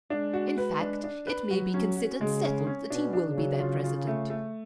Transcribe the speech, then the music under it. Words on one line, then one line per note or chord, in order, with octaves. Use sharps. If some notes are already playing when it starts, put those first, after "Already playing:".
In fact, it may be considered settled that he will be their President.
G#3 D4
F#4
B4
D4
D4
B4
F#3 F#4
C#4
F#4
C#3 G#3
C#4
C#4
B2 D4
D4
C#3
F#3
F4
F4
A3
A3